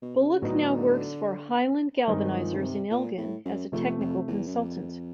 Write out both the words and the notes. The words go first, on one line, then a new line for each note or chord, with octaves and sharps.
Bulloch now works for Highland Galvanisers in Elgin, as a technical consultant.
B2
C3
C#3
A2 D3 F#3 B3 D#4
G2 D#3 G#3 C4 D#4
F#3
F3
C#3
C3
A#2
A2
F#2
F2 C3 F3 A3
F2
E2
F#2
F2